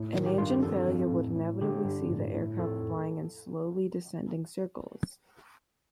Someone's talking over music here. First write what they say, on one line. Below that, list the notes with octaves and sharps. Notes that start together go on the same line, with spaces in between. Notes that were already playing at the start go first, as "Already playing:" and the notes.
An engine failure would inevitably see the aircraft flying in slowly descending circles.
Already playing: A2
D#3
G4
G2 F4
G4
F2 A4
F2
A2
A2
D3 G4
G2
A2
A2
F2 A4